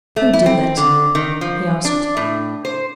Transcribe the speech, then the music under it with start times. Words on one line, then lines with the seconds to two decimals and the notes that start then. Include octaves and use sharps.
"Who did that?" he asked.
0.16 A3
0.33 E4
0.46 C4
0.77 D3
1.15 D#3
1.41 F3
1.85 D4
2.17 A2
2.65 C5